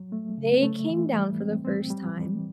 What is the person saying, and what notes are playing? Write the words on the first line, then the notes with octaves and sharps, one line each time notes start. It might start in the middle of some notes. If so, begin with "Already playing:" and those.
they came down for the first time
Already playing: F#3
A3
C#3
A3
E3
G3
C4
C4
G3
E3